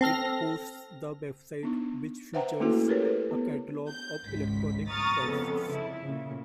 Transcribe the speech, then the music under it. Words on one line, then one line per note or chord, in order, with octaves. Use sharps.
It hosts the website which features a catalogue of electronic texts.
C4 A4 F6 A#6
B3 D4 D#4
B4 C5 E5 F#5 G5 A#5
A3 A#3 C#4 E4 F#4 A4
G4 A#4 B4 C#5
A4 B4
B3
G6
G#1 C#2 G#2 B6
A#5 C#6 D#6 F6 A6
F2 C#3 B3 A4
E4
A#2 C#3